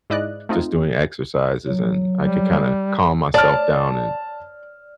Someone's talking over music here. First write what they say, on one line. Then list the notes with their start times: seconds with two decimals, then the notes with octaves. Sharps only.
just doing exercises, and I could kinda calm myself down and
0.10 G#2 E4 D5 D#5 F#6
0.49 A3 C4 D#4 F4
1.68 F#3
2.19 G3
3.34 D5 A5 F6